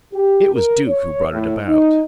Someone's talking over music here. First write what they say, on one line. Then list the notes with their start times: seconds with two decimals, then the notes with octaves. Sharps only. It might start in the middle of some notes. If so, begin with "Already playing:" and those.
It was Duke who brought it about.
0.13 G4
0.53 A#4
0.88 C#5
1.32 A2
1.67 D#4